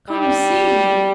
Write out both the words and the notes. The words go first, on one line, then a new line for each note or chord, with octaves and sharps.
"Come, see!"
G3